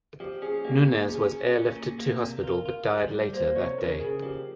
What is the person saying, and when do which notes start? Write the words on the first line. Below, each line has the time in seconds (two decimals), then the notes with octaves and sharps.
Nunes was airlifted to hospital but died later that day.
0.20 F3 G4
0.42 C#4 G#4
0.64 A#3 G4
0.87 A#2 G#4
1.09 C#4 G#4
1.31 C#4
1.54 C#4
1.76 A#2
1.99 A#3
2.21 C3
2.43 F4 A#4
2.66 F4
2.89 G3
3.11 G3
3.33 A#3 C5
3.55 C3 C#5
3.78 C#3 A#4
4.00 C#3 G#4
4.22 F3 G4